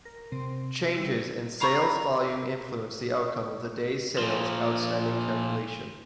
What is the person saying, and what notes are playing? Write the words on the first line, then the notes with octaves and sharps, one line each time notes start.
Changes in sales volume influence the outcome of the days sales outstanding calculation.
A#4
C3 C4
G3 E4
F5 A#5 B5 C#6
A#2 F3